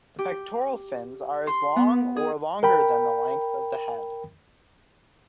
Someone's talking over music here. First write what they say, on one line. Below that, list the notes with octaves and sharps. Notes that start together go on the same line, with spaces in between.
The pectoral fins are as long or longer than the length of the head.
G4
C6
B3
G#4
A#4 G5 B5